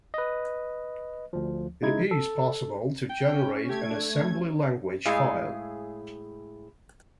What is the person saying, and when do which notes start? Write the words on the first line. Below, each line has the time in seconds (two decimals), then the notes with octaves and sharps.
It is possible to generate an assembly language file.
0.14 B4 D#5
1.33 D2 F3
1.82 C#3 G#3 D#4 E4 G#6
2.11 A4
3.10 G5
3.32 C#4
3.69 A3 G4 G#6
3.90 D4
4.18 C#4
5.05 A2 G#3 E4 G#4 F5